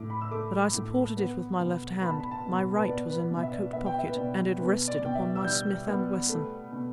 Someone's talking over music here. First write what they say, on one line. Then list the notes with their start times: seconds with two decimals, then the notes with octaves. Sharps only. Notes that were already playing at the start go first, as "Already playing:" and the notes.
But I supported it with my left hand; my right was in my coat pocket--and it rested upon my Smith and Wesson!
Already playing: A2 D6
0.10 B5
0.21 E6
0.31 A3 D6
0.74 A2
1.17 B3
1.59 B2
2.02 B3 B5
2.10 A5
2.20 B5
2.31 A5
2.46 B2
2.75 B4
2.88 B3 D5
3.09 B4
3.31 B2
3.43 E5
3.52 D5
3.73 B3 E5
3.86 G5
3.99 E5
4.08 B4
4.16 B2 D5
4.59 B2 B4
4.88 D5
5.02 B2 G5
5.15 E5
5.35 E6
5.43 G3 G6
5.87 B3
6.29 A3
6.72 B2